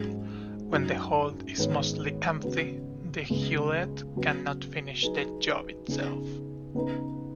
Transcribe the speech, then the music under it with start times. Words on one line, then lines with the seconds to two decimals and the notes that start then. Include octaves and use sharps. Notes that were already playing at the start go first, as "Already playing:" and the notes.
When the hold is mostly empty, the Hulett cannot finish the job itself.
Already playing: G#2 F#3 C#4 G#4
0.72 F#2 F#3 D#4
1.58 G#2 D#3 B3 G#4 C#5
2.43 C#3 B3 F#4
3.29 C#2 C#3 G#3 B3
4.16 C#3 F#3 B3
5.03 F#3 D#4 G#4 B4
5.88 C#3 B3 D#4 G#4
6.75 C#3 B3 D#4 B4